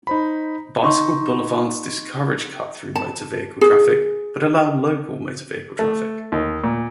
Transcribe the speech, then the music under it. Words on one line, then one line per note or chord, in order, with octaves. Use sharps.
Bicycle boulevards discourage cut-through motor-vehicle traffic but allow local motor-vehicle traffic.
D#4 C5 B5
D#4 D#5 C6 C#6
A5
G#4
A3
D#2
A#2